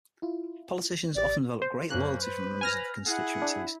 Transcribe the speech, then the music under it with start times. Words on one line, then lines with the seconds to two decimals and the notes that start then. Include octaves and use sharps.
Politicians often develop great loyalty from members of their constituencies.
0.22 E4 F4
1.15 A1 G4 D5
1.62 C5
1.90 F#2 A#3 C#4 C5 F#6
2.22 B4
2.61 G#5 F6 A#6
3.07 E4 G#4 F#5
3.42 D4